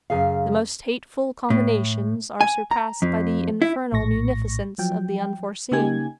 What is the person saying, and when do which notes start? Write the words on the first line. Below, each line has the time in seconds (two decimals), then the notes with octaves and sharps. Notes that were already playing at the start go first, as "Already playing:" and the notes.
The most hateful combinations are surpassed by the infernal munificence of the unforeseen.
0.10 F#2 C#3 G#4 F5
1.50 A2
2.41 G#5
2.71 A#5
3.02 F2
3.62 E4
3.92 A#1 A2 C#6 A#6
4.78 F3 F#3 G5
5.72 C#3 A#3 D#4 G4 G#5 G#6